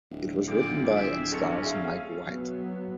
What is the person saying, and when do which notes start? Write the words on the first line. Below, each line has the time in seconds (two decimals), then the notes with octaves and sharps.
It was written by and stars Mike White.
0.11 D1
0.48 D2 A#2 G5 D6
0.94 C4 G#4 E5
1.32 G1 C#4 D4 C#7
1.63 G#4 E5 F5
2.24 F#3 B3